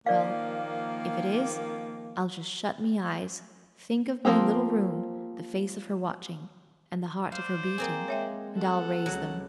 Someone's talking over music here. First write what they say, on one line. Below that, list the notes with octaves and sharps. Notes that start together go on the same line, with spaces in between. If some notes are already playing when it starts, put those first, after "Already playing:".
Well, if it is, I'll just shut me eyes, think of me little room, the face of her watching, and the heart of her beating, and I'll raise them.
D#3 F3 A#3 D5 F5
F3 A3 A#3 C4 G4
C5 D5 F5
A#3 C4 G#4
G#3 C#5 E5 G5
A4 F#5
C#2 C#3 F#3